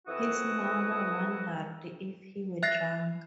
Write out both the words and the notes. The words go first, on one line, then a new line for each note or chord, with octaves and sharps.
His mother wondered if he were drunk.
F2 E3 E4 F#4 D#6
E5 F#6 A6 A#6 C7